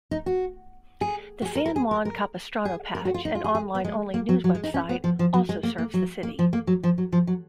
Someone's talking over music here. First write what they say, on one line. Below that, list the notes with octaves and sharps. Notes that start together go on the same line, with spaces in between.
"The San Juan Capistrano Patch", an online only news website, also serves the city.
D#4
F#4
G#4
F#4
G#4
A#4
A#4
G#4
A#4
A#4
G#4
A#4
F#4
F4
D#4
F4
G#4
G#4
B3
G#3
A#3
F#3
F#3
G#3
D#4
C#4
B3
F3
F3
F#3
G#3
A#3
A#3
F#3
A#3
F3
A#3
F#3
F3
F#3
F3
F#3